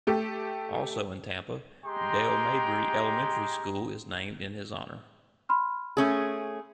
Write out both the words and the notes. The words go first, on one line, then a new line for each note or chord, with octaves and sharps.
Also in Tampa, Dale Mabry Elementary school is named in his honor.
A3 G4 A4
G#3 G4 G5 A#5 C6
B5 C6 F6
A3 C#4 G#4